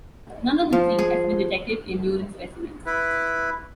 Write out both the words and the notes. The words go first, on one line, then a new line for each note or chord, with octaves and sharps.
None of the three has been detected in urine specimens.
F3
G#4
E4 B4